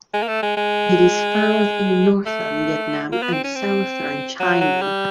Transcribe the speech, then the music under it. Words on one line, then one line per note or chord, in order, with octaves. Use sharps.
It is found in northern Vietnam and southern China.
G#3
A#3
A3
G#3
G#3
A3
A#3
B3
C4
C#4
C4
F#3
F#3
G3